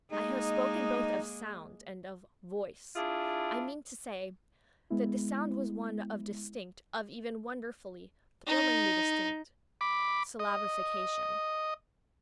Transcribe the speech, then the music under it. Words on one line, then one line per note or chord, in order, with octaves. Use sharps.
I have spoken both of "sound" and of "voice." I mean to say that the sound was one of distinct--of even wonderfully, thrillingly distinct--syllabification.
G#3 A#3 D#4
D4 E4 F4 G#4
G#3 B3 E4
D#4
B5 D6
D#5